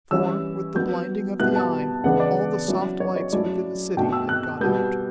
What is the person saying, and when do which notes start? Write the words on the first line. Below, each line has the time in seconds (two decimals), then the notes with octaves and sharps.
For, with the blinding of the Eye, all the soft lights within the city had gone out.
0.11 E3 G3 C#4 E4 E6
0.75 F#3 B3 D4 G6
1.40 B2 G3 B3 E4 F#6
1.56 A5
2.04 C#3 E3 B3 D4 F#5
2.20 D5
2.68 F#3 C#4 E4
3.00 C#5
3.16 C#5
3.32 F#3 A3 C#4 E4 D5
3.97 B2 A3 D4 G5
4.13 E6
4.29 F#6
4.61 B2 G3 B3 G6